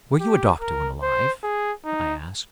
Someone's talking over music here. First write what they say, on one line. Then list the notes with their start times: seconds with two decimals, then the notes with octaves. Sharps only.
"Were you a doctor when alive?" I asked.
0.20 G4
0.61 A#4
1.02 C5
1.43 G#4
1.85 D#4